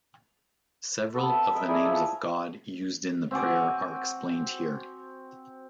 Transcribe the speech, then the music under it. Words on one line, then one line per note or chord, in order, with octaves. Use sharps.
Several of the names of God used in the prayer are explained here.
B3 C4 A4
E5
A#4 D#5 E5 G5
E4 G#4 A#4 D5
F3 E5 A5
C4 F#4 G#5 D6